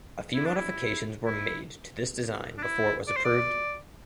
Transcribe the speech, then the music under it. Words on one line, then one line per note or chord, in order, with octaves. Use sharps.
A few modifications were made to this design before it was approved.
E4
D4
E4
E4
D4
E4
D5
C5
D5